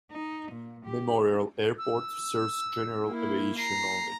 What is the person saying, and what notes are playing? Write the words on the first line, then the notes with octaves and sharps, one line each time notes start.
Memorial Airport serves general aviation only.
D#4
A#2
G4
E6
A#3 E4
A#5 C7